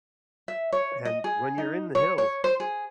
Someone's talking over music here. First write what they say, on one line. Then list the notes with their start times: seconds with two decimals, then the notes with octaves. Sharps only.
and when you're in the hills,
0.48 E5
0.72 C#5
1.05 D#5
1.24 G#4
1.58 D#4
1.95 C#5
2.18 C#5
2.44 C5
2.60 G#4